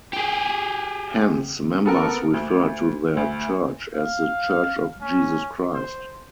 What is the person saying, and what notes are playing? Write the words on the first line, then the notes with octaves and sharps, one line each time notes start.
Hence, members refer to their church as The Church of Jesus Christ.
G4 G#4
B3 A4 A#4
D2
D2
F5
C#4
C5